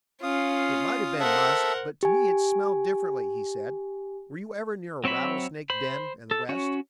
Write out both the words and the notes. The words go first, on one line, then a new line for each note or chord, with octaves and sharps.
"It might have been musk, but to me it smelled differently," he said. "Were you ever near a rattlesnake den in the west?"
C#4 F4 F5 D#6
A4 A#4 C5 E5 F#5
G4 G#5
F#3 C4 C#5 E5 B5
C5 B5
A4
C#4 F#4 C#5